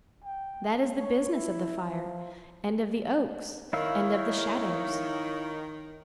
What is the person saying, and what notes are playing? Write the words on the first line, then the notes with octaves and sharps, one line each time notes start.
That is the business of the fire, and of the oaks and of the shadows.
G5
C#5
E4
F3
D#3 E4 C#5 F5 E6